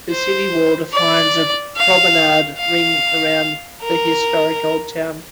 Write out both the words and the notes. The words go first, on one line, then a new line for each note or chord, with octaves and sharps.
The city wall defines a promenade ring around the historic Old Town.
C5
D5
F5
F5
A#4